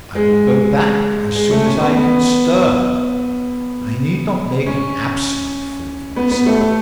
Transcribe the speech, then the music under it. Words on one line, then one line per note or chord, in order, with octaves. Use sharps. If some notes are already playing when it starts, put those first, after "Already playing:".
I will go back as soon as I can stir: I need not make an absolute fool of myself.
G#3
G#3
A3
C#4
B3
B3
C#4
B3
B3
A3
A3